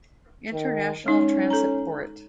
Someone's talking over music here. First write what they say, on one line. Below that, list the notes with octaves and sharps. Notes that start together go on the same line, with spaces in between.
International transit port.
D#3
G#3 C#4 D#4
A4 A#5